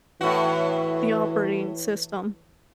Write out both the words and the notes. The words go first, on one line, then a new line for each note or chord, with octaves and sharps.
the operating system.
A2 E3 F#4